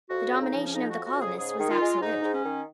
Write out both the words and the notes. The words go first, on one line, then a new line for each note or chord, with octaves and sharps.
The domination of the colonists was absolute.
F2 F#4
C#3
D#4
F3
C#4
F2 D#4
F#4
F2
F#4
C#3 G#4
G#2 G#4
D#3
F4
G#3
G#2 D#4
G#2
C#4
D#3